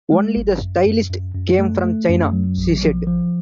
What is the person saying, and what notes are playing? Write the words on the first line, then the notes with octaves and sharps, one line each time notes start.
Only the stylist came from China, she said.
G#3
G#1
F#2
F#2
F#2
F#2
A3
A3
F#2
F#3
A#1
F3
F3